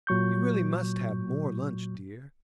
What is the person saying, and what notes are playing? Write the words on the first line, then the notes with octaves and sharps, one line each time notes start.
'You really must have more lunch, dear.
A#2 F#3 C#6 G6